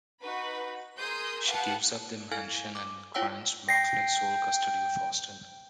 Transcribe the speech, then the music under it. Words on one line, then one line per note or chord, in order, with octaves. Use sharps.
She gives up the mansion and grants Barclay sole custody of Austin.
D#4 F#4 B4 B5
G#4 A#4 C6 D#6 E6 G6
G4 B4 F5 F#5 A5 F#6
E4 A4 F5 G#5 F6 G#6
D6
E4 F4 C#5 F#5 G5 E6
G5 A#6 C7